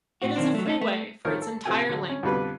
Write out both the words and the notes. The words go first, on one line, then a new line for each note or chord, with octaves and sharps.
It is a freeway for its entire length.
A2 F#4
B1 D#3 C4 D4
F#3 A3
A3 D#4 A4
A3
D#3 F3 A#4 C#5
A4
C3 F3 A4 G5 G#5
D3 F#3
C#4
F2 B2 D3 G3 D4 B4